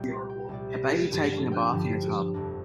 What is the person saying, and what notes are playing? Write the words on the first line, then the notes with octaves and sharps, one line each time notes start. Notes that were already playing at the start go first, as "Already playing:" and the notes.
A baby taking a bath in a tub.
Already playing: C2 A#2 G3 G5
A#5
G5
C2 A#2 G3 D5
A#4
G2 D3 F3
F5
G5
G2 D3 F3
F1 F2 D3 A#3 D4